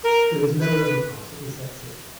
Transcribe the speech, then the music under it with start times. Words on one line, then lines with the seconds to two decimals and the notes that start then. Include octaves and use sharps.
There is no overpass at this exit.
0.03 A#4
0.60 B4